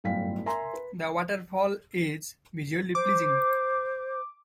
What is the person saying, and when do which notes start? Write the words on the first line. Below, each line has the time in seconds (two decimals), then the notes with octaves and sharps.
The waterfall is visually pleasing.
0.04 G1 F#2 A2 F5 G5 B6
0.46 A#4 E5 G#5 A#5 C6
0.73 B4
2.95 C5 D6